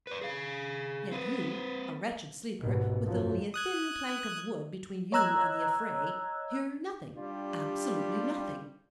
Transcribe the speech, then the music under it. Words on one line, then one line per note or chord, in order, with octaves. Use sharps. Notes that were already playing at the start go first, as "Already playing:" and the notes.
Yet you, a wretched sleeper, with only a thin plank of wood between you and the affray, hear nothing, absolutely nothing.
B4 D5
G#4 F5
C4 B4
G#1 D#2 B2 B3
F#2 F3 F#3
D#6 F#6 G#6
C#5 D#5 A#5 E6 F#6 G#6
G3 D4 F4 G4